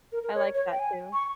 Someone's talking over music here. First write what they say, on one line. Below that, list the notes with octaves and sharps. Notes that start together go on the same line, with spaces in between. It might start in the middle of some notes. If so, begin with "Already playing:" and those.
I like that, too.
A#4
A#4
C#5
C#5
G5
G#5
C#6